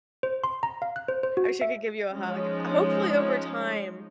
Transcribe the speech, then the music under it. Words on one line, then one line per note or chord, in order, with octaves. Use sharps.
I wish I could give you a hug. Hopefully, over time,
C5
C6
A#5
F5
F#6
C5
C5
F#4
E5
F3 G#3 C#4 D#4